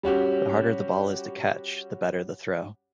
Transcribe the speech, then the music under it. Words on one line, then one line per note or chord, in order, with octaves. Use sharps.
The harder the ball is to catch, the better the throw.
G3 C#4 F#4 G4